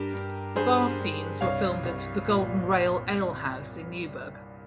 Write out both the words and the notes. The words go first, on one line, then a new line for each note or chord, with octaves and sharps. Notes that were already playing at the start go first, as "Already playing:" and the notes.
The bar scenes were filmed at The Golden Rail Ale House in Newburgh.
Already playing: G2 G4 A#4
G2
G2 G#4 C5
G2
C2 C#5 F5
C2
A#2